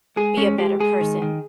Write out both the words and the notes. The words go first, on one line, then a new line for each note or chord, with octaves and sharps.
be a better person.
G#3 G#4
G#3 C#4
G#3 G4
G#3 G#4
D#3
D#3